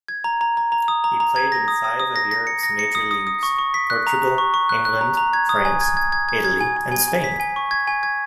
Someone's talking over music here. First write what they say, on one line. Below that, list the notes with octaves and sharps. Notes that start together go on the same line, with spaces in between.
He played in five of Europe's major leagues: Portugal, England, France, Italy and Spain.
G#6
A#5
A#5
A#5
A#5
D#6
A#5
A#5
G#6
A#6
D#6
D#6
D#6
A#6
A#6
C#7
A#6
C#7
D#6
D#6
D#6
C#6
C#6
B6
F#6
A#5
A#5
C#6
C#6
F#6
F#6
A#5
A#5
G#6
D#6
G#5
G#6
G#6
G#6
G#6
G#6
G#5
G#5
G#5
G#5
B6
G#5
C#6
G#6
G#5
G#6